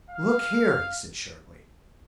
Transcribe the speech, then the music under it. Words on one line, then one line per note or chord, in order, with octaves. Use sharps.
"Look here!" he said sharply.
F5